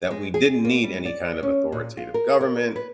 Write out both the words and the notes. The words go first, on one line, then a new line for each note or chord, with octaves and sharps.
that we didn't need any kind of authoritative government,
G#3
G#4
A#3
G3
D5
C#4
A#2
F4
A#4
A#4
B4